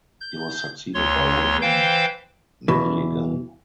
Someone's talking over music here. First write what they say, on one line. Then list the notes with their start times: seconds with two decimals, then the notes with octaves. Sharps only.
He was succeeded by William Milligan.
0.21 G6
0.94 D2 C#5 C6
1.62 E3 C5 F5 G5 G6
2.68 E2 B2 E3